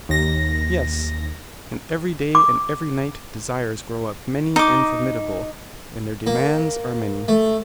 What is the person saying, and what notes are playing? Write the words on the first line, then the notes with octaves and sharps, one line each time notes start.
Yes; and every day and every night desires grow up many and formidable, and their demands are many.
D#2 A#6
D6
D#4 D6
A#3
A3